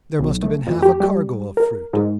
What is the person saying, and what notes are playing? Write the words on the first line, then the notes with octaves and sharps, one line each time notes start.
There must have been half a cargo of fruit.
B1
A3
F2
G4
G3
A#4
G#2